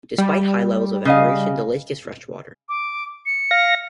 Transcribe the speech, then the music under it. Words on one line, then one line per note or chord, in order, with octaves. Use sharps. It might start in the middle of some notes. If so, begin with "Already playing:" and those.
Despite high levels of evaporation, the lake is fresh water.
G3
C#3 D#5 F5
D6
C#7
F5 A#6